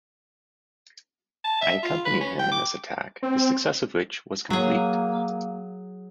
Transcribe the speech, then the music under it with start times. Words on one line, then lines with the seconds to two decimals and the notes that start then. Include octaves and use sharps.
I accompanied him in this attack, the success of which was complete.
1.44 A5
1.61 E5
1.83 F4
2.05 B4
2.21 C#4
2.39 G5
2.51 D6
3.23 C4
4.50 F#3 A#3 G#4